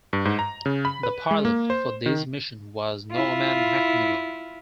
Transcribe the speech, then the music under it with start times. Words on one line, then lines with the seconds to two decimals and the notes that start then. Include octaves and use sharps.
The pilot for this mission was Norman Macmillan.
0.13 G2
0.25 G#2
0.39 A#5
0.66 C#3
0.85 B5
1.03 B4
1.31 G#3
1.45 A#3
1.70 C5
2.06 D#3
3.11 E4 F4